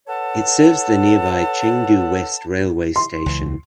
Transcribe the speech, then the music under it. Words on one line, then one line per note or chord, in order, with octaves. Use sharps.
It serves the nearby Chengdu West railway station.
A4 B4 C#5 F#5 A5
C6
C#2 E3